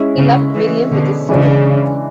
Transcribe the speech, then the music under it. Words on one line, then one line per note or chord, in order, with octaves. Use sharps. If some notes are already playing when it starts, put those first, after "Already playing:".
He loved Miriam with his soul.
Already playing: G#3 C#4 E4
C#3
C#3 E3
B2 D3
C#3 E3 G#3 D4